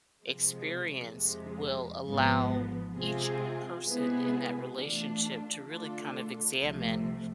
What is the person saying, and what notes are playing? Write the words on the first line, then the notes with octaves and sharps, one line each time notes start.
experience will allow each person in that relationship to really kind of examine
C3 F3 G#3
F2 C3 G#3
G#1 G#2 F3 B3
C3 G#3 C4 F4 G#4
C3 G#3 B3 E4 G#4
E3 A3 D4 F4
D3 A3 D4 F4 A4
C2 C3 F3 A3